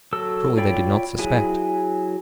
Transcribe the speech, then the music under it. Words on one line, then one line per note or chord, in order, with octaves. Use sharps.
Surely they did not suspect!
F#3 A4 E6
F4 C#5 D5 G5 B5
F#3 E4 G#4